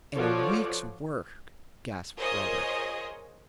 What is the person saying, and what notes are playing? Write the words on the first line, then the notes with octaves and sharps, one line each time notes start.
"And a week's work!" gasped Robert.
F3 F4 F#4 A4 C#5 D5
F4 G#4 A#4 C5 C#5 D#5